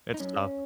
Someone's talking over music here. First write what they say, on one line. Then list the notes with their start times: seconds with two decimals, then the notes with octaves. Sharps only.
It's tough.
0.14 D#4
0.20 F#2 C#4